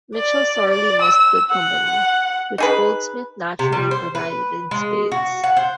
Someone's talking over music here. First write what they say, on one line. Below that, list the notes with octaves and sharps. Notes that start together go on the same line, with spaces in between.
Mitchell sorely missed good company, which Goldsmith naturally provided in spades.
D5
D5
E6
F#5
D#4 G#4 B4
C3
G3
C5
B4
G#3
F#4
F#5
C5